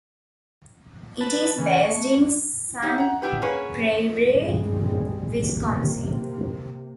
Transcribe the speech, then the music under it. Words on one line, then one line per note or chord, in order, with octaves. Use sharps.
It is based in Sun Prairie, Wisconsin.
B4 A5
C#3 E3
A3 C#6
D#4 E4 G4 C#5
F#5 A#5
B3 D4 E4 G4 B4
A#3 C#4 G#4 B4 C#5
C2 G2 B2 G3 G#3 C4
C3 A#3